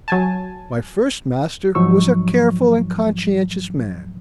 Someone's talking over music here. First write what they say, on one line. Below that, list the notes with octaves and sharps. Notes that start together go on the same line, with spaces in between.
My first master was a careful and conscientious man.
F#3 G#5 A5
G#2 F3 F#3 D#4 C#6 E6